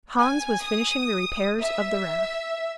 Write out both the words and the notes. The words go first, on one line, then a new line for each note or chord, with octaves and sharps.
Hans was finishing the repairs of the raft.
G#5
D#6
E5